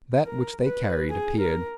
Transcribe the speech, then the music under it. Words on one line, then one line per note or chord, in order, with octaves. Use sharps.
That which they carried appeared.
A#4
B4
G#4
A#4